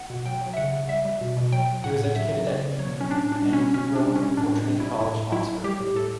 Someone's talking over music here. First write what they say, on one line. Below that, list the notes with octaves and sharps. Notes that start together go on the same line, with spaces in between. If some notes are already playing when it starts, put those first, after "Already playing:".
He was educated at Eton and rowed for Trinity College, Oxford.
Already playing: F#5
B2
F#3 G5
F#3
E5
C#3 F#5
C#3
G3 E5
G3
B2
B2
F#3 G5
F#3
A2 F#5
A2
F#3 E5
F#3
C#3 D5
C#3
F#3 C#5
F#3
C#4
A2 D4
A2
D4
G3
C#4
G3
B2 C#4
B2
D4
G3
C#4
G3
A2 D4
A2
D4
G3
E4
G3
A2 E4
A2
F#3 E4
F#3
G3 G4
A2
A2 A4